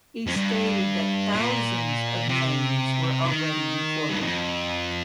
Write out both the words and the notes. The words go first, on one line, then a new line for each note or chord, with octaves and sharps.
He stated that "thousands" of names were already recorded.
F2
G2
A#2
C3
D#3
G2
F2